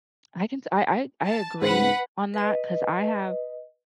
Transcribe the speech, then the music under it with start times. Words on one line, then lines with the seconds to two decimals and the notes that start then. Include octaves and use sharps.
I can sa I I I agree on that 'cause I have
1.26 A5
1.62 G#2 C#3 C4 B4 F#5 B5
2.34 B4 D#5